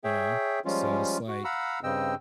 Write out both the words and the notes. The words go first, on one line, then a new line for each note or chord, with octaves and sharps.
you know? So it's like,
G#4 C#5 E5 G5
F3 G3 G#3 C#4 F4
F#4
F5 F#5 A#5 B5 E6
G2 C#3 C4 D#5 G5 E6